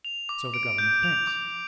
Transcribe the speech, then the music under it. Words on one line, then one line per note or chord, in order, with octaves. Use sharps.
So the government thinks.
F7
D6
D7
G6
F7
D6